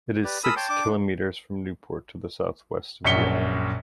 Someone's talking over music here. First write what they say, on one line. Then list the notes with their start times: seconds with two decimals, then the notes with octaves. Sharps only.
It is six kilometres from Newport in the southwest of the island.
0.24 G4 B4 D5
0.44 G#4 A#4 A5 B5 D#6 E6
0.56 C#5 G5 A5 C6 D6
0.69 D4 D6
3.05 A#1 F#2 B6 C#7 G7